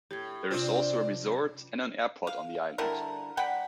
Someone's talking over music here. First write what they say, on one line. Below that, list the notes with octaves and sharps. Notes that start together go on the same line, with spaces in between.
There is also a resort and an airport on the island.
A2 G4 G#6
C3 C4 D4 F4
F#2
F5
D3 G3 E4 A#4
G3 F#5 G5 B5